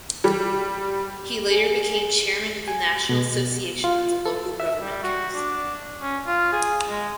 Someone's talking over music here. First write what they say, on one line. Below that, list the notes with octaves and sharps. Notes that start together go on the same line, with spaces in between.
He later became chairman of the National Association of the Local Government Council.
G3
G#4
G#5
B2
F4
A4
E5
G3
F#4
D4
C#4
F4
G#4
G#3